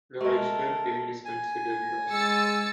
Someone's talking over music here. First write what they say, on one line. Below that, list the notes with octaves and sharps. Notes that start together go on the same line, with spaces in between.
The original film is considered lost.
G#3 A3 A4 A#4
G#5
G#3 E6 A6 C#7